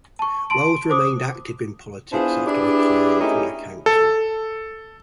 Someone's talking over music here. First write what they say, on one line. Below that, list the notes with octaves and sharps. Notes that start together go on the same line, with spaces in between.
Wells remained active in politics after retiring from the council.
A5 C#6
A5 C6 D7
C5 D6 D#6
B3 D4 E4 F4 G#4 C5
D4 E4 G4 G#4 B4 D5
A3 C#4 D#4 E4 G4
A4